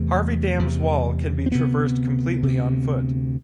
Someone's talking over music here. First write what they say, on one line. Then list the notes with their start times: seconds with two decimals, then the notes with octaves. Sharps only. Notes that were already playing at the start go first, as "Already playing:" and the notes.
Harvey Dam's wall can be traversed completely on foot.
Already playing: E2 C3 A3
0.59 E2 C3
1.46 C4
1.51 D2 C3 B3
2.43 D2 C3